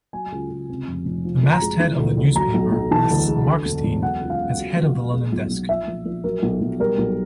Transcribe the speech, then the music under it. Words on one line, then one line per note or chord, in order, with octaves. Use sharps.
The masthead of the newspaper lists Markstein as head of the London desk.
F#3 G#5
C#2
C#2
C3
F1
F1
F3
A#1
A#5
G#3
E3
D2
D2
F#3 A#5
B1
B1
E3 A5
D2
G#3
D3
E1
E1
F#3 F#5
C#2
F5
C#2
F#3
A#1
A#1
G#3
B1
B1
F3 E5
A#1
A#1
F#3 A#4
B1
B1
G3 A#4
B1